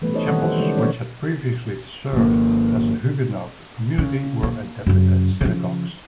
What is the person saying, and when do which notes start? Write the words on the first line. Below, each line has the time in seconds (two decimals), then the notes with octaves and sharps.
The chapels, which had previously served the Huguenot community, were adapted as synagogues.
0.02 E3 G3 A3 B3 C#4 B4
0.14 D#4 A4 C5 C#5 D#5
0.27 D#3 E3 G3 C4 A4 F#5
0.40 F3 E4 C5
0.58 C#3 E3 G#3 A4 D5
0.78 A#3 C4 D4 A4 C#5
2.13 G#1 A#3
3.98 C#3
4.43 A#3
4.86 F#2 C#3
5.41 C#3 F3